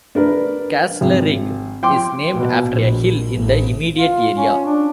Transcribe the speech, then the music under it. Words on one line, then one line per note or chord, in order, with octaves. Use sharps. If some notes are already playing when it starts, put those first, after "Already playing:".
Castlerigg is named after a hill in the immediate area.
D4 A#4 B4
G#1
G5 C6 D6
B2
A#1
A1
F4
C#4
D4